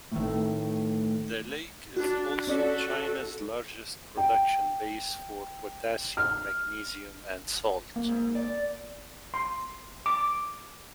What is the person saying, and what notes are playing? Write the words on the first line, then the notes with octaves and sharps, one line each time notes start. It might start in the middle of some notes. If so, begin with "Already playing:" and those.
The lake is also China's largest production base for potassium, magnesium, and salt.
A2 D#3 A3
D4 F#4
C#4 F#4 A4 D5 B6
G5
F6
A#3
G#2
D5
C6
D6